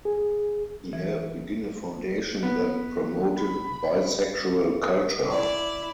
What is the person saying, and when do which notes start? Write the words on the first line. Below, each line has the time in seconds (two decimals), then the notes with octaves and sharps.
He helped begin a foundation that promoted bisexual culture.
0.05 G#4
0.93 E3
2.43 B3
3.37 B5
5.31 E4 D5